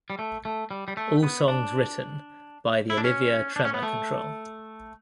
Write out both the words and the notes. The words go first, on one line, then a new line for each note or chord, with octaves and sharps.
All songs written by The Olivia Tremor Control.
G3
A3
A3
G3
G3
A3
B3
D4
E4
D4
C#4
D4
C#4
B3
A3